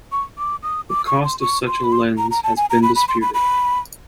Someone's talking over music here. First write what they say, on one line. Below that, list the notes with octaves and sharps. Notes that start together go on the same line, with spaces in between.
The cost of such a lens has been disputed.
C#6
D6
D#6
D6
C#6
C6
C#6
C6
B5
C6
A#5
A#5
A5
G#5
A#5
B5
B5
C6
B5
B5